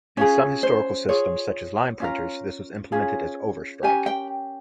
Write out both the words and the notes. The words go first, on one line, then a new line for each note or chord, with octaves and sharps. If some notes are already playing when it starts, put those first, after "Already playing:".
In some historical systems such as line printers this was implemented as overstrike.
C#4 F4 G#4 C#5
C5
F4 G#4 C#5
C#4 F4 A#4
C#4 F4 G#4
C#4 G4 A#4 G#5
G5